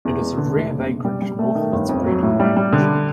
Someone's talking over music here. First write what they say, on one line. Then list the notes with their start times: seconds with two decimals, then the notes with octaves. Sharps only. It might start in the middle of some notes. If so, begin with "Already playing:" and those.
It is a rare vagrant north of its breeding range.
0.05 E2
0.21 G#3
0.37 D3
0.54 F1
0.71 F#1
0.89 B2
1.05 G3
1.22 G3
1.39 A3
1.55 D#3
1.72 G1
1.89 F2
2.06 F#3
2.23 A2
2.40 G3
2.57 G3
2.73 D3